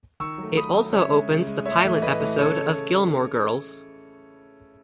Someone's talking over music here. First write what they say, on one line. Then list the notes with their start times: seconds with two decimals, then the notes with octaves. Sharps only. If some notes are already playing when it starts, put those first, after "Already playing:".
It also opens the "Pilot" episode of "Gilmore Girls".
0.20 D#3 C#6 E6
0.38 F#3
0.43 A3
0.57 D#3 B5 D#6
0.75 F#3 A3
0.93 C#3 C#5 E5
1.12 G#3
1.30 C#3
1.47 G#3
1.65 A2 C#5 E5
1.84 E3 A3
2.02 A2 B4 D#5
2.20 E3 A3
2.38 C#3 A4 C#5